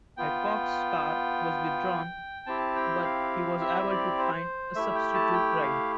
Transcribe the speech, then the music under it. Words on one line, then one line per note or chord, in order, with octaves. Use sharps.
Adcox's car was withdrawn but he was able to find a substitute ride.
B3 F4 G5
C4 E4 G4 A5
G5
F5
E5
D5
C5
A3 E4 G4 E5
G5
A5
G5
F5